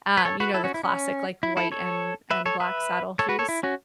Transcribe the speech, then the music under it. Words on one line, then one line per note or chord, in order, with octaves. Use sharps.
um, you know, the classic, like, white and and black saddle shoes.
B4
A4 C#5
F#4 B4
E4 A4
C#4 F#4
E4
C#4
E4
E4 A4
A4 C#5
B4 E5
A4 C#5
B4 E5
A4 C#5
F#4 B4
A4 C#5
E4
C#4 F#4